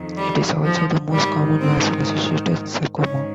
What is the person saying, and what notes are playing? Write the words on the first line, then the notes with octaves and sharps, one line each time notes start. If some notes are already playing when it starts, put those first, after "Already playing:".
It is also the most common vaccine-associated sarcoma.
Already playing: F2 D#3
G3
F3
G#2 D#3 G3
C4
G#2 D#3 C#4